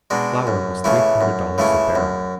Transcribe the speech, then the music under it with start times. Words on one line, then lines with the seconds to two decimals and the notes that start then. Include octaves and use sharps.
Flour was three hundred dollars a barrel.
0.10 B2 G#3 D4
0.47 F#2
0.84 C#3 E3 A3 E4
1.21 F#2
1.58 C#3 E3 A3 E4
1.95 F#2